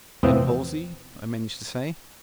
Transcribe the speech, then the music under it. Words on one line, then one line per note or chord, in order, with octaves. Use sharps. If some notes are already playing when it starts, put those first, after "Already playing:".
"And Halsey?" I managed to say.
E2 A2 C3 F3 B3 C4